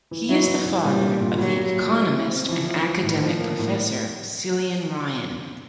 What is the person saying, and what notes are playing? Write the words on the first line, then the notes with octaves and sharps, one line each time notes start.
He is the father of the economist and academic Professor Cillian Ryan.
E3
F#3 E4
E3
E3
A#2 G3
D4
A#2
F#3 G3
G3
A#2
G#3
E4
C4
E3 F3
F3
F3
A2 D#3
F3
A#3
A2